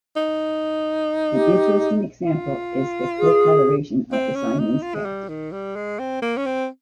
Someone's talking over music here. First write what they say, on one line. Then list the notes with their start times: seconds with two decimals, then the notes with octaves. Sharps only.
An interesting example is the coat coloration of the Siamese cat.
0.16 D#4
1.33 G4
2.26 F4
3.19 G#4
4.12 C4
4.35 C#4
4.59 D#4
4.82 F4
4.94 G#3
5.05 G3
5.29 D#3
5.52 G3
5.76 G#3
5.99 C4
6.22 A#3
6.37 C#4
6.46 C4